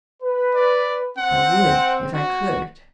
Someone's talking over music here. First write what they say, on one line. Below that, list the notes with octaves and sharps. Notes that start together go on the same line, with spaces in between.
"I would if I could!"
B4
D5
C4 F#5
F#4